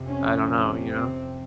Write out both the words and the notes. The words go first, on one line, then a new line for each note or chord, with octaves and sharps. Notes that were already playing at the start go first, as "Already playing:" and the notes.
I don't know, you know?
Already playing: F2 C3
C#4
C4